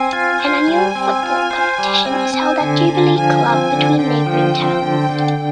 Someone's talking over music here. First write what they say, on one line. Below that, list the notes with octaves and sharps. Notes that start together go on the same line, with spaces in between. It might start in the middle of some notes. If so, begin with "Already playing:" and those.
An annual football competition is held at Jubilee Club between neighbouring towns.
Already playing: C4 G#5
F4
C5
G3
C4
F4
C5
G3
C4
C4
D3
D3
F3 G#5
C4
D3
D3 G5
F3
C4
D3
D3